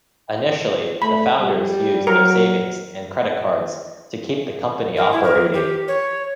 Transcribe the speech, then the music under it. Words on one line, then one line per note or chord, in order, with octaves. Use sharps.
Initially, the founders used their savings and credit cards to keep the company operating.
A3 B5
G3
F#3 A#4
A#4
E4
A#4
G4
C#5